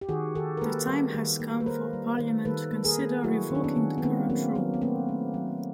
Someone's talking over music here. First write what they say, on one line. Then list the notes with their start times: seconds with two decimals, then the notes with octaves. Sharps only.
The time has come for Parliament to consider revoking the current rule.
0.01 G4
0.09 D#3 F#4 G#4
0.35 D#3 G4 A4
0.57 A#4
0.61 A#3 A4 B4
0.87 G3
1.14 D#3
1.40 A#3
1.60 B4
1.66 A#3 A#4 C5
1.93 G3
2.19 D#3
2.45 D#3 A4 B4
2.72 A#3
2.84 G#4 A#4
2.98 A#3
3.24 F#3 E4 F#4
3.51 D#3 D4
3.64 B3 C#4
3.76 D#3
3.98 B3
4.03 D#3 A#3 C4
4.29 F#3 A#3 C4
4.55 F#3 B3
4.74 B3
4.82 A3 A#3 C4
5.09 A3
5.34 F#3